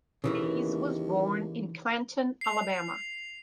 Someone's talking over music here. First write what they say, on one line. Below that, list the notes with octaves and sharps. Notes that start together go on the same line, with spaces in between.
Hayes was born in Clanton, Alabama.
D#2 C#3 E3 A#3
C7 F7